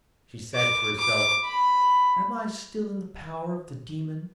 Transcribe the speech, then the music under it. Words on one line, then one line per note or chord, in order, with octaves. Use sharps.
She said to herself, 'Am I still in the power of the demon?
D6
D6
B5